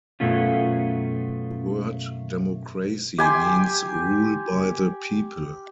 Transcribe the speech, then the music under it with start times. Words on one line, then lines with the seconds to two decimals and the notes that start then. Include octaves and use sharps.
The word democracy means rule by the people.
0.20 F#2 B2 A3 B3 C#4 F4
3.18 G4 G#5 C6